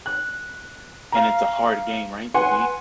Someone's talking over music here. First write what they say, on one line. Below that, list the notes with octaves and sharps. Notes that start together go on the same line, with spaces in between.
And it's a hard game, right, to beat?
F#6
F5 A#5
B4 F#5 G#5 C6